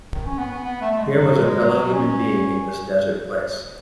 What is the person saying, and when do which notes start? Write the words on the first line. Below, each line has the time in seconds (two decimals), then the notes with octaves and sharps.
Here was a fellow human being in this desert place.
0.13 D#3
0.26 C#4
0.38 B3
0.51 B3
0.64 B3
0.81 A3
0.91 A3
0.98 G#3
1.15 F#3
1.41 G#3
1.67 F#3
1.93 C#4